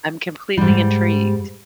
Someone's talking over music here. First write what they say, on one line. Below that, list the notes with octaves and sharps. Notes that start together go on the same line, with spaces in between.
I'm completely intrigued.
G#2 G3